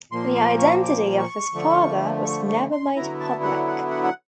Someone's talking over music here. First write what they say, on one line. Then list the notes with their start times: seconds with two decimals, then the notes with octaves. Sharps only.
The identity of his father was never made public.
0.12 A#2 F3 A#3 C6
0.35 C6
0.59 C#6
0.83 D6
1.18 C#6
1.54 D3 F3 A3
2.25 C#6
2.49 C#6
2.72 C6
2.96 D3 F#3 B3 E4 A#5
3.20 A5
3.43 F#5
3.67 F#5
3.90 F#5
4.04 F#5